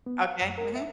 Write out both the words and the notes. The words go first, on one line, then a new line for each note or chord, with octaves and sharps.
Okay, mhm.
B3
F5
F#2
A#4
E5